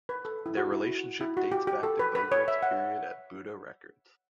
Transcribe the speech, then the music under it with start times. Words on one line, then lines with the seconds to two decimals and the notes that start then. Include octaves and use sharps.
Their relationship dates back to Bogart's period at Buddah Records.
0.09 B4
0.25 A4
0.46 E4
0.57 F#4
0.72 E4
0.89 F#4
1.21 E4
1.37 F#4
1.52 G4
1.67 G4
1.83 A4
1.99 B4
2.15 B4
2.32 C#5
2.48 E5
2.63 F#5